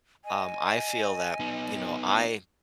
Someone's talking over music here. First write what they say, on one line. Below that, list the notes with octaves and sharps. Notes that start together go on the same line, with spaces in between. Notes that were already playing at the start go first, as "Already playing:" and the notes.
Um, I feel that, you know, I
D#5 G#5
B3 D#4